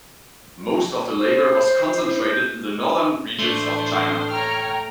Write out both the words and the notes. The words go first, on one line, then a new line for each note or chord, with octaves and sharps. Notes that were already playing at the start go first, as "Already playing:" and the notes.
Most of their labour was concentrated in the Northern regions of China.
C5
E4
G6
A2 E3 A3 D4 C5
C#5 G5 A#5 F6